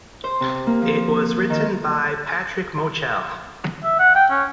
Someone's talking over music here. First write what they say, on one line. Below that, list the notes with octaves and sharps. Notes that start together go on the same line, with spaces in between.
It was written by Patrick Mochel.
C5
C3
A#3
F3
D#3
E5
F#5
G5
C#4